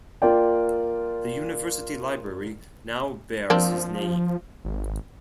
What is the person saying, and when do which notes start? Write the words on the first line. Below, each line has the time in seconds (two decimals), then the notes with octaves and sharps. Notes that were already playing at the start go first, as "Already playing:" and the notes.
The university library now bears his name.
0.22 A#3 F4 D5 G5
3.50 F3 A#3 C4 D4
4.65 G#1